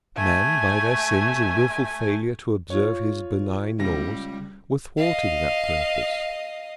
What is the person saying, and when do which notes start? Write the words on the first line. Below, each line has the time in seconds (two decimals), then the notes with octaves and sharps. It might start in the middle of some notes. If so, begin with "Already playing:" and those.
Men by their sins and wilful failure to observe his benign laws were thwarting that purpose.
0.16 A3 G#5
2.70 F4 C#5
3.79 C#2 G3 A#6
4.97 D#5 F5